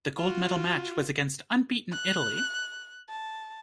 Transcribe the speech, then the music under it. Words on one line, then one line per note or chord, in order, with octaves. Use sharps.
The gold medal match was against unbeaten Italy.
F4 F#4
F#6
A5